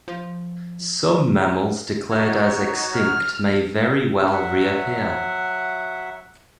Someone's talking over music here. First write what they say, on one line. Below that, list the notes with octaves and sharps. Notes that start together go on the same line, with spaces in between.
Some mammals declared as extinct may very well reappear.
F3
D#4 F#4 C#5
F6
F#3 E5 F#5